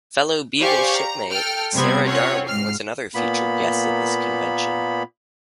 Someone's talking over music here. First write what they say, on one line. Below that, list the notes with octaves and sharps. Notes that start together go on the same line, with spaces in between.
Fellow "Beagle" shipmate Sarah Darwin was another featured guest at this convention.
G4 C5 D5 F5 G#5 C#6
A#5
A4 G5 F6
C3 G3 B3 C4 G#6
C4 C#4 F4 C#5 F#5
G#2 F6 C7
A#2 A#3 B3 B5